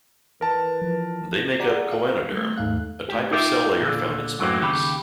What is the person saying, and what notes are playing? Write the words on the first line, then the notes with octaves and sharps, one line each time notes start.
They make up Choanoderm, a type of cell layer found in sponges.
E3 A#4 B4 A5
F3
G#4 D5 F#5 A#5
F5
G3 A3
D#2 G#2 A3 F5 F#6
A2 G4
D#4 F4 G4 A#4 D5 E5
A#2 D3
F#2 A2 E3 F#3 A#3 G4
D#2 C#3 G4 F5 B5